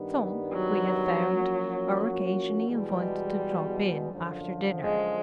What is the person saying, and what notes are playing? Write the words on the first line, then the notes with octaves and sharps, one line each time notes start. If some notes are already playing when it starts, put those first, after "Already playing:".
Some, we have found, are occasionally invited to drop in after dinner.
Already playing: G2 D#3 G3 B3
F#3
F3 A#3 C#4 F#4
E2 B2 G3 G#3
F#2 D3 F3
G#3